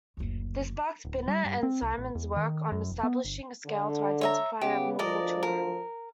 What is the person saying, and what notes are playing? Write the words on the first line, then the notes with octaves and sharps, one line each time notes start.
This sparked Binet and Simon's work on establishing a scale to identify abnormal children.
F#1 D2
D1
G3
G2
C4
C2
A1
E2
D#3
F#2
E1
B3
G1
D3
C#5 E5 A#5
C#3 B3 G4
D2 F3 A#4 D5 D#5
A#4